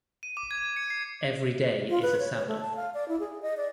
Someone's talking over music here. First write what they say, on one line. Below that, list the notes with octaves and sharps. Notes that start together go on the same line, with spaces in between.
Every day is a sabbath.
D#7
D6
G#6
C#7
C7
F4
B4
C#5
C#5
A3
A5
F5
D5
E4
G#4
D#5
D5